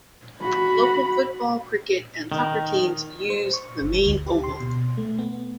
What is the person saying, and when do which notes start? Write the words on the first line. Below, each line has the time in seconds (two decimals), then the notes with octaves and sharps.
Local football, cricket and soccer teams use the main oval.
0.42 F#4 B5
2.32 D#3
3.30 C5
3.54 C#6
3.81 G1
4.06 D2
4.27 G4
4.44 C6
4.60 B2
4.97 A3
5.19 B3